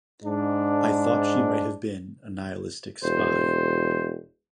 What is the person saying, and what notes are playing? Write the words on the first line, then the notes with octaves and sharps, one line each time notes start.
I thought she might have been a nihilistic spy.
G#2 D4
E1 C5